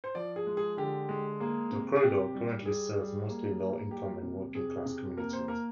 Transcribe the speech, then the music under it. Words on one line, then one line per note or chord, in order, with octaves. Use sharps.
The corridor currently serves mostly low-income and working-class communities.
C5
F3 D5
G#4
G#3
G#4
D3 G4
G#3
A#3 G#4
C3
G#4
C3 G4
G3
G3 G#4
G3
A#3
A#3
G3 G4
C3
C3 G#4
C3
A#3 A#4
C5
A#3 A#4